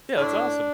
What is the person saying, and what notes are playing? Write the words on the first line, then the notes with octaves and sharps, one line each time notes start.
Yeah, that's awesome.
A2 D4